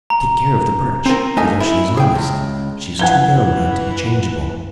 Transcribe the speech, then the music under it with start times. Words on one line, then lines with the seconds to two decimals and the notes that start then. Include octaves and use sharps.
Take care of the Birch, for though she is honest, she is too young not to be changeable.
0.10 A#5
1.06 C4 A#4
1.37 A3 A#3 D#4 D#5 G#5
1.60 E4
1.97 G#4 G5
2.15 C#2
2.99 F#2 E3 F3 F#5 G#6 G7